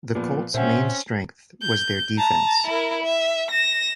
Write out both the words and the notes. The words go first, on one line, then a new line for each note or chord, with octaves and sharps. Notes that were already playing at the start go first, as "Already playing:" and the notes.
The Colts' main strength was their defense.
A#2 F3 B3
A#2 C4 C#4 C5 E5 F#5
G6
A5 A#5
E4 A#4
E5
A#6 E7